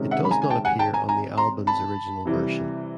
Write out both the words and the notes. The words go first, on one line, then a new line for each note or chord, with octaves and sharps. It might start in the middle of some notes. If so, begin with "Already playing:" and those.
It does not appear on the album's original version.
Already playing: C3 D#3 G#3 C#4
E5 F#5
B5
G#5 A#5
G#5
G5 A5
F#5 G#5
G5 A5
G#5 A#5
G#5 A#5
A#5 C6
A5 B5
C3 E3 G3